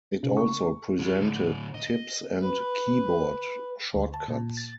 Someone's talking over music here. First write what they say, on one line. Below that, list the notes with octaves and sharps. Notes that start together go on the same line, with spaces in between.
It also presented tips and keyboard shortcuts.
C#3
C#6
G#3 F4
A2 D3
D#5
B4
D2
A5
A#2
A6